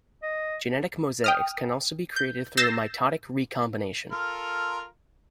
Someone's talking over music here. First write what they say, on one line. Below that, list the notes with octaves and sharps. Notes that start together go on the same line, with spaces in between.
Genetic mosaics can also be created through mitotic recombination.
D#5
G5 D#6 F6
G6
E6 G6 A6 A#6 C7 E7
F4 A4 A#4